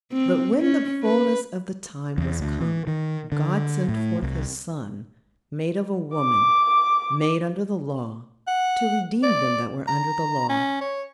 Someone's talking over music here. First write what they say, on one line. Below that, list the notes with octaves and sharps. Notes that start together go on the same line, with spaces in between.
But when the fullness of the time was come, God sent forth his Son, made of a woman, made under the law, to redeem them that were under the law.
C4
C#4
B4
E2
D2
E3
D#3
D3
A2
C2
D6
F#5
D5
A#5
C#4
C#5